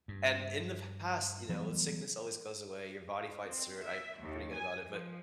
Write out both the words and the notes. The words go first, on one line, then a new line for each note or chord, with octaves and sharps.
And in the past, you know, sickness always goes away. Your body fights through it. I'm pretty good about it. But,
G2
E3 F#3 G3 B3
C4
E5
D#2
G#5
F3